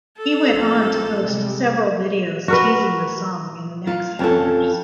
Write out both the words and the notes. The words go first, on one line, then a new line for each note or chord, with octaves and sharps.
He went on to post several videos teasing the song in the next hours.
A4
A1 F3 C4
C3 G3 G#3
F#4 A#4 B4
F4
F2 C#4 F4 A4